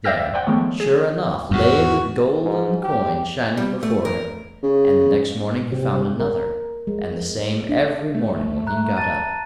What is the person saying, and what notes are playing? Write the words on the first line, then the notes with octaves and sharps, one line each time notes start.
There, sure enough, lay the golden coin shining before him, and the next morning he found another, and the same every morning when he got up.
D5 E5 F5 G5 E6 A#6
C5 D5 F#5 G5
D#3 F3 G#3 A3 B3 C#5
G#4
E2 G#2 F#4
G#2
G4
G3
A3
A#4
C#3
C3
A#4
G#3
D4
A3
A#5 F#6
A5 A6 D#7